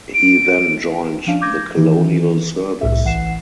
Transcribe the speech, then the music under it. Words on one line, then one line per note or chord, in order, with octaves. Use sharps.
He then joined the Colonial Service.
D7
F3 C#4 D4 F5
D6 G6 G#6 A#6
D#3 E3
C2 A2 E5
A1 E3 F#5 C7 E7